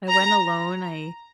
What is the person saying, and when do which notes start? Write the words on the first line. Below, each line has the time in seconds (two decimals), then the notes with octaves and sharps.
I went alone. I
0.09 A#5